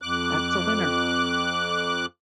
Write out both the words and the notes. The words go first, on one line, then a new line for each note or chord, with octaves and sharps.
That's a winner!
F2 D6 F#6